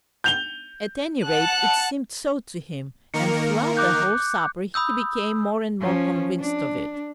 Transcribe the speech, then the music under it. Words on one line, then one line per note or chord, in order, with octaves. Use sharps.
At any rate it seemed so to him, and throughout the whole supper he became more and more convinced of it.
G6 F7 G7
F#5 A5 F#6
D#3 A#3 A#4 C#7
D6 F#6 G6
B5 D#6 E6 G6
F3 C#4
D4